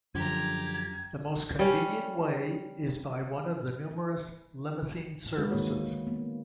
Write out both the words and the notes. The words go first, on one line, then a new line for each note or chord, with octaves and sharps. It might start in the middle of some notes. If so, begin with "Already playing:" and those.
The most convenient way is by one of the numerous "limousine services".
F#2 D3 F3 G4 A#5 G#6
G3 C#4
E4
E3 G#3 F#4 B4
D#3 A#3 C#5
D3
A#3 B3